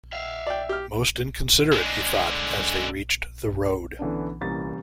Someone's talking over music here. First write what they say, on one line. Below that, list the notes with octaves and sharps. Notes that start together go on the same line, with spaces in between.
Most inconsiderate, he thought, as they reached the road.
E5 F5
D5 G5
G4 F6
D3 G#3
D3 E3 B3 C#4 D4
C2 A#2 E3 C#4 A#5 A6